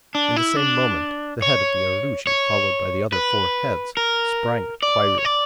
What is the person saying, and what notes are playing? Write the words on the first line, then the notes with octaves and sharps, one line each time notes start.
In the same moment the head of the aruji, followed by the other four heads, sprang at Kwairyo.
D4
E4
D4
C#5
C#5
B4
A#4
D5
C#5
D5